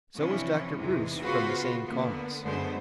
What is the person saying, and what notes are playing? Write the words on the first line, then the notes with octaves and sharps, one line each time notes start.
So was Dr. Bruce from the same cause.
C3 E3 F3 C#4 D4 E4
E2 C3 E3 G#3 D#4
C#3 B3 F4 F#4 B4 C5
D3 A#3 B3
F#2 D3 G#3 A3 B3 C5